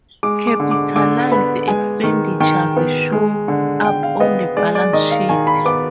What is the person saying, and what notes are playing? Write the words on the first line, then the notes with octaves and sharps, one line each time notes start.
Capitalized expenditures show up on the balance sheet.
G#3 D6
D6
D3
D6
D3 D6
B3 B5
G#3 G#5
D#3
D#3 G5
B3
G#3
D3
D3 G5
F5
B3 D#5
G#3 D5
D5
D#3 D#5
F5
D#3 G#5
B5
B3 D6